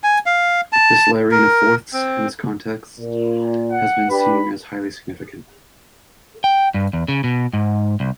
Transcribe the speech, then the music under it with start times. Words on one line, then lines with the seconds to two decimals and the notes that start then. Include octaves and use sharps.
This layering of fourths in this context has been seen as highly significant.
0.03 G#5
0.26 F5
0.73 A5
1.31 A#4
1.93 C4
3.00 A#2
3.72 F#5
4.10 D4 G4 B4 B5
6.44 G5
6.74 G2
6.93 E2
7.08 C#3
7.24 B2
7.53 G#2
8.00 C2